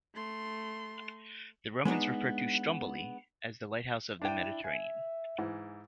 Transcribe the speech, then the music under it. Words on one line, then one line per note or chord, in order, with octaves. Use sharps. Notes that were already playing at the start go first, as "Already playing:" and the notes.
The Romans referred to Stromboli as the Lighthouse of the Mediterranean.
A3 C6
G#3 B3 D4 D#4
D4 E4 G5
E5 G#5
G#2 E3